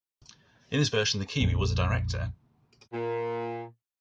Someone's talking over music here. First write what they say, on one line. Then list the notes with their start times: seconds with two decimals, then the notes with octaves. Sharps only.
In this version, the Kiwi was a director.
1.41 A#1 F2
2.93 A#2